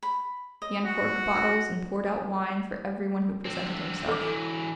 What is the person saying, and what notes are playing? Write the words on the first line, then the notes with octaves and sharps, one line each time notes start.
He uncorked bottles and poured out wine for every one who presented himself.
B5
D#5
F#4
D3 C4
A4 D6
E3 F#3